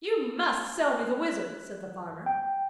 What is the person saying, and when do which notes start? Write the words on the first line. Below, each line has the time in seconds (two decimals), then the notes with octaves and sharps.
'You MUST sell me the wizard,' said the farmer.
1.00 F#6
2.26 G5